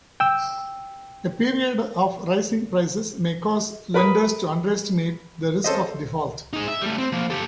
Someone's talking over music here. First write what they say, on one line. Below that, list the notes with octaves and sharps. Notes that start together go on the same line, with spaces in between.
A period of rising prices may cause lenders to underestimate the risk of default.
G5 E6
A#4 B4 B5 D#6
C#4 A4 C5 D#5
D#4 G#4
E5
G3 A3
C4
F3 A#3
G4 A4